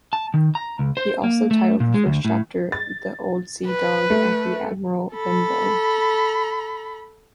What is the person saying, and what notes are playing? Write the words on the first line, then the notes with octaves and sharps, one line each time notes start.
He also titled the first chapter "The Old Sea Dog at the Admiral Benbow".
A5
D#3
A#5
C#2
C5
A#3
A3
A#2
G#3
D2
A2
A6
B4
A3
A4 B5